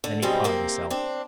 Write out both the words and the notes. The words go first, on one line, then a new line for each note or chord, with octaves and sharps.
Then he caught himself.
D3
G2 B2 G3 G#3 C4
C3 A#3 C4
C4 D4